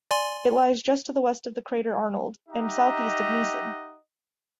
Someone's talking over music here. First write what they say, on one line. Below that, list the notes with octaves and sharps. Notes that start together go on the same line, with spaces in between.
It lies just to the west of the crater Arnold, and southeast of Neison.
D5 G#5 C6
D#4 G4 D#5 E5 F#5 A#5